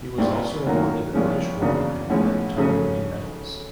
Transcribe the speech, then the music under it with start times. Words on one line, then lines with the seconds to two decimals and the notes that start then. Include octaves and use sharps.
He was also awarded the British War and Mercantile Marine Medals.
0.18 C2 A#2 G3 C4
0.67 F#2 D#3 F#3 A#3
1.13 C2 A#2 F3 G#3 C#4
1.61 E2 C#3 F#3 A#3 D4
2.09 B1 A2 F3 G#3 C#4
2.57 F2 C#3 F#3 A3 C#4